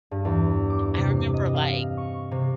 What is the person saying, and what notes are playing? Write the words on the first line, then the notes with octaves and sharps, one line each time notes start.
I remember like
G2
E2
D6
C3
D#5
F5
C#6
C3